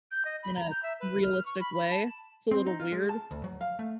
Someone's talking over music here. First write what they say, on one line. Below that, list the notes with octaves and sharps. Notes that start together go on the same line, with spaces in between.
in a realistic way. It's a little weird,
G6
D#5
B5
A#5
G6
E5
B4
F6
C#6
B5
B5
A5
C4
D#4
F4
G#3
A5
D2
F#3
F5
A3